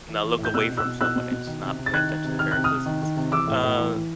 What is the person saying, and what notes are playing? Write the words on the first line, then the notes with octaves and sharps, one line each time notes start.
not look away from someone and just not paying attention to their existence. Uh,
E3
E3
A2
G6
B2 E6 F#6
B2
E6 F#6
B2
B2 E6 F#6
B2
B2
D#3
C3
C3
A6
D#3 F#6 G#6
D#3
C3
D#3 F6
C3 F#6
D#6 F6
C3
D#3
D#3
C3
E3 D6 E6
A2
A2
E3
E3